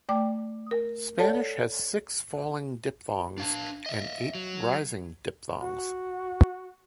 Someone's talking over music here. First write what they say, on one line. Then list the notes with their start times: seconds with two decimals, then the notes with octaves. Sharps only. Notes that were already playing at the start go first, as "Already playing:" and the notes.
Spanish has six falling diphthongs and eight rising diphthongs.
0.09 A3 D5 G5 D6
0.71 A#4
1.19 A4 C#5 D5 F#5 A5
3.38 D4 F5 A5
3.86 D#5 E5
4.35 F#3
5.61 F#4